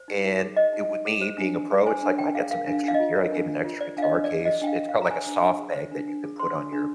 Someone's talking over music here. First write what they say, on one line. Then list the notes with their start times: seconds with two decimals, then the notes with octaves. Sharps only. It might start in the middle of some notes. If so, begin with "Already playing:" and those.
and it would me, being a pro, it's like, I got some extra gear. I gave him an extra guitar case. It's called like a soft bag that you can put on your
Already playing: C5
0.08 D#4
0.24 D#4
0.40 G#4
0.57 C5 D#5
0.73 D#4
0.89 D#4
1.05 G#4
1.21 C5
1.38 D4
1.54 D4
1.70 G#4
1.86 C5 G#5
2.03 D4
2.18 D4 G5
2.35 G#4 F5
2.51 A#4 F5
2.67 D4
2.73 F5
2.83 D4 F5
2.94 D#5
2.99 F4
3.16 A#4
3.32 D4
3.48 D4
3.64 F4
3.81 C5 D5
3.97 D4 F5
4.02 D#5
4.13 D4
4.24 D5
4.30 G#4
4.45 C5 D#5
4.61 D4 G5
4.67 F5
4.78 D4
4.89 F5
4.95 G#4
5.02 A#5
5.10 C5 G#5
5.27 D4
5.42 D4
5.59 G#4
5.75 C5
5.92 D4
6.08 D4
6.24 G#4
6.39 C5 C6
6.56 D4
6.73 D4